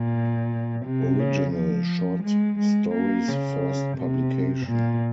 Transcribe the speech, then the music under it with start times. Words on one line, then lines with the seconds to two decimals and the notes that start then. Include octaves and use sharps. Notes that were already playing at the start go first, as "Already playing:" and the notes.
Original short stories first publication.
Already playing: A#2
0.85 C3
1.19 C#3
1.54 F3
2.23 G#3
2.59 G#3
2.94 A#3
3.28 C#3
3.98 C3
4.67 A#2